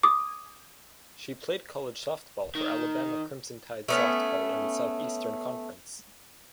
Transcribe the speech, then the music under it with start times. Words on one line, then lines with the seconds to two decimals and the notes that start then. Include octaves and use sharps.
She played college softball for Alabama Crimson Tide softball in the Southeastern Conference.
0.03 D6 D#6
2.55 D#3
3.88 A3 B3 C#4